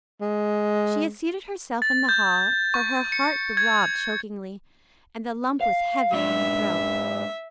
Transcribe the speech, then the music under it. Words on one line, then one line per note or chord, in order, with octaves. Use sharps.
She had seated herself in the hall, for her heart throbbed chokingly, and the lump was heavy in her throat.
G#3
A6
G6
C#6
C#7
G#6
F5
G#2 D4 E5